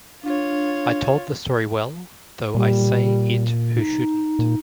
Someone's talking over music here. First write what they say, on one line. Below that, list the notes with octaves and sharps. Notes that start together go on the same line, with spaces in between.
I told the story well, though I say it who shouldn’t.
D4 F4 C#5
A#2 G3
D#4
A#2